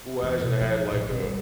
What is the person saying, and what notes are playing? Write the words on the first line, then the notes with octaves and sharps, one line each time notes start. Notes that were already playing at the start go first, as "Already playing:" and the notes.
who hasn't had like, uh
D#2 E3
B2
F3
A1 A#2
D3 C4
G3